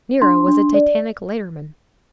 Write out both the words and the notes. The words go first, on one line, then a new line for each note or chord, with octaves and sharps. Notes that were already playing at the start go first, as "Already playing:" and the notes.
Nero was a titanic lighterman.
D4 C6
D4
D5